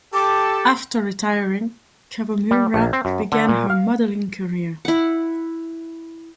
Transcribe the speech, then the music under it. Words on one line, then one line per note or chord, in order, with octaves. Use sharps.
After retiring, Kawamura began her modeling career.
G4 A4 D6
G3
A#1
C4
F#2
D3
A#2
F5
E4 F#5